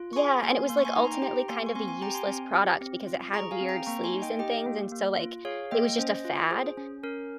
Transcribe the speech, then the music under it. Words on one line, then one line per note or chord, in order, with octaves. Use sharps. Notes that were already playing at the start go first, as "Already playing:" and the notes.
Yeah, and it was like ultimately kind of a useless product because it had weird sleeves and things, and so like, it was just a fad
Already playing: F4
C#6
G#4 G#5 C6
A#3 G#5 C6
A#3 C6
C#6
G#5 C6
D#4 A#5
C6
G5 A#5
G4 G5 A#5
A#3 G#5 C6
C#6
C4 G#5 C6
G#5 C6
G4 G5 A#5
G#5 C6
C4
G4
C4
F4
G#4 A#5 C#6
F5 G#5
C4
G5 A#5
A#3 A#5 C#6
G#5 C6
D#4
D#5 G5
G4 D#5 G5
A#3
A#3
F4
G#4 C#5 F5
A#3 D#5 G5
C#4 C5 D#5
F4
G#4 C5
C#4
C#4 A#4